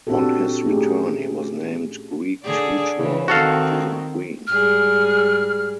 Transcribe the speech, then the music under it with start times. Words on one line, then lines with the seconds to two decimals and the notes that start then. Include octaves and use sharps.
On his return he was named Greek tutor to the Queen.
0.07 A#2 C4 D4 F#4 G4 A4
0.66 A3 C#4 D#4 G4 G#4
2.43 D3 G#4 D5
2.97 C#3 E3
3.28 D#3 C4 F#4 A4 F5
4.47 G#2 G3 G#4 F6